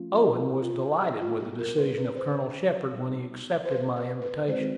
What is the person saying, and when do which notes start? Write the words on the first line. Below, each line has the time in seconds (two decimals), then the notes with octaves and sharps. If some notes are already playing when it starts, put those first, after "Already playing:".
Owen was delighted with the decision of Colonel Shepard when he accepted my invitation.
Already playing: F3 A3 C#4 F4
0.24 E4
0.62 F4
0.82 F#4
0.92 G#4
1.01 G4
1.20 F4
1.39 B2 G3 B3 G4
1.59 A#4
1.78 B4
1.98 B4
2.16 C5
2.94 B2 G3 B3 D#4
3.65 C5
3.71 B4
3.96 B4
4.22 B4
4.48 D#3 G#3 C4 D#4 F#4 C5